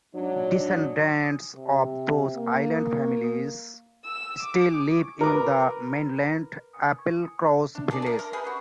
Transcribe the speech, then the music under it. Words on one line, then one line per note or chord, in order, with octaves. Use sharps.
Descendants of those island families still live in the mainland Applecross village.
G#2 F#3 D4
C3
A#3
E6
D6
A#4 B4 D6
D4
A#3 D4 G#4 D5
A#4 A5
A#4 A#5
G4 G#4 A#4 B4
C#4 F#4